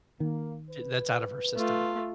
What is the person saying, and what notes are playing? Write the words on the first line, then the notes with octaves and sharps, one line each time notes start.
and that's out of her system.
D#3 A#3
B4
A3 F4